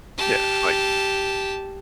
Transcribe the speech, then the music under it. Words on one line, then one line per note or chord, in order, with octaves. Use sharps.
Yeah, like
G4 A5